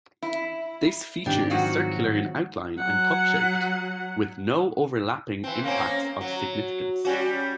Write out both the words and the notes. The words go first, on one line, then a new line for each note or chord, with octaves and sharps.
This feature is circular in outline and cup-shaped, with no overlapping impacts of significance.
E4
G#2 D#3 C4 D4 G4
F3 F#3 F#4
F#3 F#5
E3 C4
A#3 C4 C#4
F#3
G3 C#4 F#4